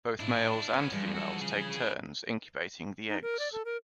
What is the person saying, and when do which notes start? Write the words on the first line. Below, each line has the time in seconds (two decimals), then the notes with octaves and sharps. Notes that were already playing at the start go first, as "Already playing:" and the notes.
Both males and females take turns incubating the eggs.
0.20 A2 D4 E4 F4
0.73 B3 C#4 C5
0.92 G2 E3 F3 G3 G#3 G#4
1.13 F#4 A4
1.41 C#3 G#4 F5
1.61 B5 G#6
3.09 D#4
3.22 A#4
3.39 D5
3.52 A4
3.65 A#4